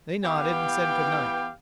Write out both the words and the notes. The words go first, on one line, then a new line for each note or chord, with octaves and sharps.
They nodded and said good-night.
E3 B3 G4 F5 G5